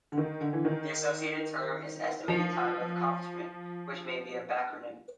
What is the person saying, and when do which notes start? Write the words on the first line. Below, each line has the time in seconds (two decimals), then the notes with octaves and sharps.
The associated term is "estimated time of accomplishment", which may be a backronym.
0.12 D3
0.18 D#3
0.41 D3
0.53 E3
0.65 D#3
2.28 F3